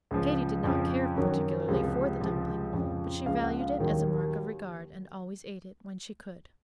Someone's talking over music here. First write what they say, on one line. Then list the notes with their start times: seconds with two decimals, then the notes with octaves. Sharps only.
Katy did not care particularly for the dumpling, but she valued it as a mark of regard, and always ate it when she could.
0.11 C#2 C#3 F3
0.64 F2 C#3 F3
1.16 F#2 D#3 F#3
1.68 C#2 C3 F3
2.21 C#2 C3 F3
2.73 F2 C#3 F3
3.26 C#2 C#3 F3 F5
3.44 F#5
3.61 F5
3.79 D#2 D#3 F#3